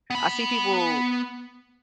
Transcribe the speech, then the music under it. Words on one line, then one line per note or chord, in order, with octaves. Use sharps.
I see people
B3 B5